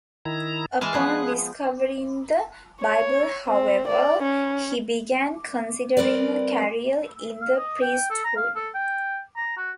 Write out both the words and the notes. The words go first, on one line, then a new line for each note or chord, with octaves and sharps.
Upon discovering the Bible however, he began considering a career in the priesthood.
D#3 E4 A#5
E3 G#3 G#4 A5 F6
F3 B3 G#4 F#6
C#5
C4
D5
C#4
G3 C4 A#4 B4 D5
F5
D#5
G5
A4
A#5
F5
A4
G5
A#5
F#4